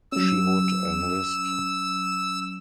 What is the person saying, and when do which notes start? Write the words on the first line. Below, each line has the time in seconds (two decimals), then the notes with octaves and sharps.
She would enlist.
0.12 F#3 C#4 E6